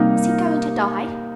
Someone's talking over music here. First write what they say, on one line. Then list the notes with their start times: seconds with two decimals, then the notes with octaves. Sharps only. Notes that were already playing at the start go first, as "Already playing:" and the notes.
"Is he going to die?"
Already playing: C3 G3 A#3 D#4 A#4